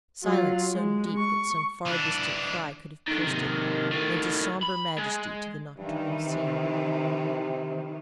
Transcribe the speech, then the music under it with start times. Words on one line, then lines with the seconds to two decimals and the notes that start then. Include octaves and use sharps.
Silence so deep that some far-distant cry could have pierced it, lent a sombre majesty to the nocturnal scene.
0.23 F#3 F4
0.73 G#3
1.17 C#6
1.86 E3 D4
3.08 D3 D#3
3.24 C3 D#3
3.92 A2 D#3
4.63 B5
4.98 G#3
5.77 G2 D#3 E3
6.26 C3